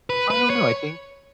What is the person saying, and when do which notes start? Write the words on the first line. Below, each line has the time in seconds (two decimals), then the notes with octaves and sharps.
I don't know. I think
0.10 B4
0.30 B4
0.50 C#5